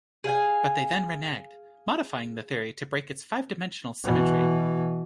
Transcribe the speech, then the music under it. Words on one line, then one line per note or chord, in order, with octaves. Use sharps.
But they then reneged, modifying the theory to break its five-dimensional symmetry.
G#4 F5 G5 G#5
B2 E3